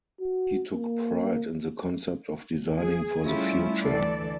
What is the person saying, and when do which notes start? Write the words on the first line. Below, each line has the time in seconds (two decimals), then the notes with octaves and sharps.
He took pride in the concept of designing for the future.
0.21 F#4
0.74 A#3
2.77 G#4
3.25 G3 A3 C#4 E4 F4
3.84 D2 E3 A4 D5